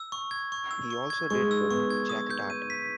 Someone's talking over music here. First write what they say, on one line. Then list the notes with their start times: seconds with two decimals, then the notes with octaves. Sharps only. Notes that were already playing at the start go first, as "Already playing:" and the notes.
He also did book jacket art.
Already playing: E6
0.12 C#6
0.31 G#6
0.52 C#6
0.71 E6
0.90 C#6
1.10 G#6
1.30 G#3 C#6
1.51 E6
1.70 B3 C#6
1.90 G#6
2.09 D#6
2.30 G6
2.50 D#7
2.70 B6